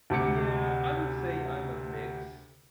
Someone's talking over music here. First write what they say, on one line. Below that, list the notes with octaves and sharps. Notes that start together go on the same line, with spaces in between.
Yeah, I would say I'm a mix.
D2 C3 D6 C#7